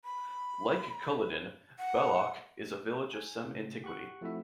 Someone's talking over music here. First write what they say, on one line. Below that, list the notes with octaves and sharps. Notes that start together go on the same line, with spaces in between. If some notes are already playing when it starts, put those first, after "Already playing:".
Like Culloden, Balloch is a village of some antiquity.
B5
F#5
G#5 G6
A2 C#3
G4 F#5 C#6 F#6
F3 A3 C4 E4 F#4 E5